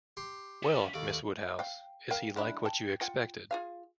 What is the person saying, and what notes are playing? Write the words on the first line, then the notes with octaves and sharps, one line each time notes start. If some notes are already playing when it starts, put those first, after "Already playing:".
Well, Miss Woodhouse, is he like what you expected?
G4 C6
C#4 A4
D#2 A3 D5
F5 G5
A#4 F5 G5
G#3 D4 E4
G5 A5
F4 F#5 G5
F4 G#4 F5